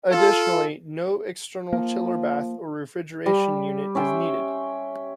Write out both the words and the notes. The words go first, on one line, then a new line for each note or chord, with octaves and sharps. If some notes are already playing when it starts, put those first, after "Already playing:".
Additionally, no external chiller bath or refrigeration unit is needed.
F4 A4
F3 A#3
G3
C#4 E5 G5 C6